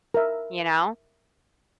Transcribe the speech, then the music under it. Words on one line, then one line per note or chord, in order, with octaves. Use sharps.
You know?
A#4 E5